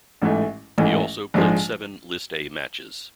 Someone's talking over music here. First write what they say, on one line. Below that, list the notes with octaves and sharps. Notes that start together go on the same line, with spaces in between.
He also played seven List A matches.
A1 G#2 E3 A3
A1 G#2 E3 A3
A#1 G#2 F3 G#3